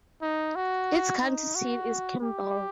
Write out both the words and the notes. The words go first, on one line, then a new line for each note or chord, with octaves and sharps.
Its county seat is Kimball.
D#4
F#4
D#4
F#4
G4